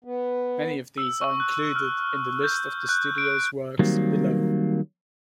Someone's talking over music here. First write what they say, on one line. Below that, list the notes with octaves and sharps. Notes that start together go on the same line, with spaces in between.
Many of these are included in the list of the studio's works below.
B3
E6
C#6
F#6
F6
G6
F#6
D7
D#3 F#3 G3 A#3 C4